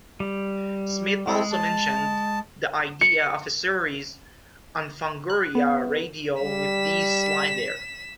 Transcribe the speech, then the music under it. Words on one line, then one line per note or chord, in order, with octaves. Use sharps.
Smith also mentioned the idea of a series on Fangoria radio with Dee Snider.
G3
G#3 C4 E4 A4
A5
C#7
F#6
B3
G3 B6 E7